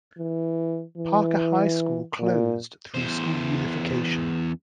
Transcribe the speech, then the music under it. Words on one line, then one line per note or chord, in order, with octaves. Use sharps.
Parker High School closed through school unification.
E3
E3
A#2
E2 C5